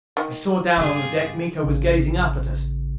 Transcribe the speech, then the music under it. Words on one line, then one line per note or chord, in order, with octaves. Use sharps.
I saw down on the deck. Miko was gazing up at us.
D#3
G2 C#3 F4 G4 G#4
A1 C#3